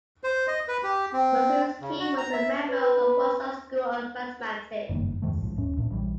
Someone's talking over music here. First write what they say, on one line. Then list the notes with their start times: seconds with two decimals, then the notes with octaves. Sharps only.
Marczewski was a member of the Warsaw School of Mathematics.
0.24 C5
0.47 D#5
0.68 B4
0.83 G4
1.13 C4
1.81 C#3
2.00 F#4
2.17 A#5
2.33 E5
2.69 B4
4.89 F#1 G2 D#3 A#3
5.22 F2 G#2 D#3 A3
5.42 B1 G#2 F3
5.56 D#1 C#4
5.77 C2 A#2 D4
5.90 A#1 E3 F#3 G3